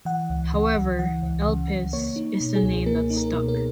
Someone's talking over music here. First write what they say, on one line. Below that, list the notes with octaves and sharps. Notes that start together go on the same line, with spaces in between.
However, Elpis is the name that stuck.
E3 F#5
C#2
C#3
C#2
E3 F#5
C#2
C#3
C#2
A#3 C#5
D#4
B2
G#4
C#2
A#3 A#4
D#4
A#4
B2
A#4